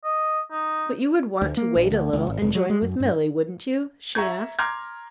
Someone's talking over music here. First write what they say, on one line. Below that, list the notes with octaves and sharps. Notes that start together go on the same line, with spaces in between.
"But you would want to wait a little and join with Milly, wouldn't you?" she asked.
D#5
D#4
D2
A#3
A#1
D2
C#2
G#1
F1
F#3
G#3
F#2
G2
E5 A#5 C#6 G#6
A#5 C6 D6 F6 G#6